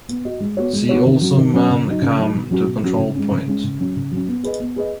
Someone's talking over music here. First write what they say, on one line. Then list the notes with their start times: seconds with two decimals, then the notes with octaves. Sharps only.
See also Man Kam To Control Point.
0.09 B3
0.25 F#4 D#5
0.40 G#3
0.57 B3 F#4 C#5
0.73 G#3
0.89 B3 F#4 C#5
1.05 D#3
1.21 F#3 C#4
1.37 D#3
1.53 F#3 C#4
1.70 C#3
1.87 F#3 D#4
2.02 C#3
2.19 F#3 D#4
2.34 B2
2.51 F#3 C#4 F#4
2.66 B2
2.83 F#3 C#4 F#4
2.99 C#3
3.15 G#3 C#4
3.31 C#3
3.47 G#3 C#4
3.64 C#3
3.80 F#3 C#4
3.96 C#3
4.11 F#3 C#4
4.28 B3
4.44 G#4 B4 D#5
4.60 B3
4.76 G#4 B4 D#5